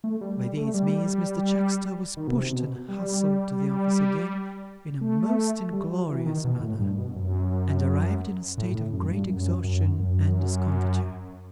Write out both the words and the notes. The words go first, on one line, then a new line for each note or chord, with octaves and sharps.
By these means Mr Chuckster was pushed and hustled to the office again, in a most inglorious manner, and arrived in a state of great exhaustion and discomfiture.
A3
G3
G3
A3
G3
D#3
B2
C3
B2
G3
A3
G3
F#3
E3
D#3
B2
A2
G2
B2
F#2
A2
A2
F#2
G2
F#2
F#2
F#2